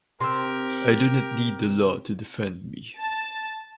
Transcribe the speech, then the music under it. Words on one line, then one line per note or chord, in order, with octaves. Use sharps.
I do not need the law to defend me.
C3 G4 A#4 C6 E6
A5